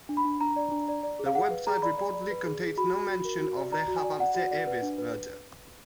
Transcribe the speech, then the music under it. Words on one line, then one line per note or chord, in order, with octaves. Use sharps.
The website reportedly contains no mention of Rehavam Ze'evi's murder.
D4
B5
D4
D4 A#5
D5
D4
D5
D5
G#4
F5
G#4 F#5
B4
G#4 A#5
D5 B5
D5
D5
B4
G#4
G#4
F#4 B5
F#4
F#4
A#4
F#4
D5
D5 A#5
F#4
G#5
D5
D5 F#5
F#4
D5
B4
D4
B4